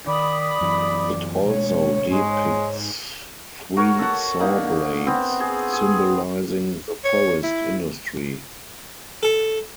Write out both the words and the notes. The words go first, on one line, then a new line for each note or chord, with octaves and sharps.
It also depicts three saw-blades, symbolizing the forest industry.
D#3 D5 B5 D#6
F#2 E3
B2 G#3 C#5
G#2 G#3
F#4 A#4 C#5
A4 F#5
D3 A#3 D#4
B3 C4
G#4
G#4
C#5
E4
A4